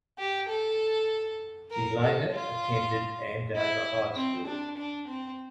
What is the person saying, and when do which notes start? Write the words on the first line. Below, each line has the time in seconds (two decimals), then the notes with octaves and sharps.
She later attended Andover High School.
0.19 G4
0.49 A4
1.72 A#4
2.02 A4
2.33 F4
3.56 E4
4.16 C4
4.47 D4
4.78 D4
5.08 C4